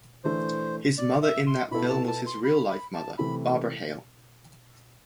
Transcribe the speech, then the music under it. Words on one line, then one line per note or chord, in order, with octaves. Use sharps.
His mother in that film was his real-life mother, Barbara Hale.
E3 A3 D4 C5
D5
E5
C6
B2 B3 E4 A4 B5
A5
A5
C6
B5
B5
A5
C3 E3 A3 E4 B5